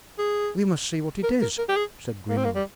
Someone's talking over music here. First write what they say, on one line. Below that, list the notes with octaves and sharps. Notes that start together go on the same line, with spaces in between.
"We must see what it is," said Grimaud.
G#4
A#4
A#4
A#4
G4
G#4
A#3
C4
A#3
G3